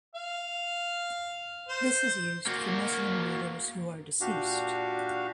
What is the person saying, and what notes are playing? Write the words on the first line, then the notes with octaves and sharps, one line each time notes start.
This is used for Muslim rulers who are deceased.
F5
C5
A#3 F#4
A#2 D4 F#4 G4 F5